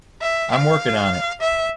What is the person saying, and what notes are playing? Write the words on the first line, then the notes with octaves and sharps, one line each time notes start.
I'm working on it.
E5
F5
E5